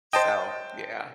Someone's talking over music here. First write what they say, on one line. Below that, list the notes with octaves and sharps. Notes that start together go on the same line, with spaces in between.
So, yeah.
C5 D#5 G5 A5